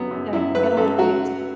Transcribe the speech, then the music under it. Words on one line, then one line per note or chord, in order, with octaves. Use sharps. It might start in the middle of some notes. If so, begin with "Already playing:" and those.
Yeah, I forget all the names.
Already playing: F#2 F#3 B3
F#2
F#2 E4
F#2 B4
F#2 A4
F#3 F#4